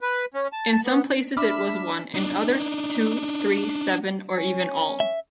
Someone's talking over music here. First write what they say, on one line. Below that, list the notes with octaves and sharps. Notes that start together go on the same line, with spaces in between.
In some places it was one; in others, two, three, seven, or even all.
B4
C#4
A5
B3
D4 E5 B5 D6 F6
D4 D#4
C#4
E5